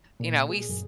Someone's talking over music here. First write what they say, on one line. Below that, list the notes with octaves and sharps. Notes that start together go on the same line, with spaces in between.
you know, we s
A#2
G#4
F#2